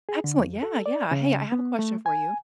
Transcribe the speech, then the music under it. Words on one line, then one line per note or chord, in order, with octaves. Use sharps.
Excellent. Yeah, yeah. Hey. I have a question for you.
G#4
D3
F2
A4
D5
C#3
B3
A3
G#5